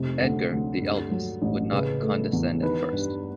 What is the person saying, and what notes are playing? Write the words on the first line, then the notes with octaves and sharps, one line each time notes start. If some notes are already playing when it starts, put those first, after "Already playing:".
Edgar, the eldest, would not condescend at first.
Already playing: F1 C3
D2
D2
G2
F#3
A1
C#3 B4
A3
E2
D#3 B4
G2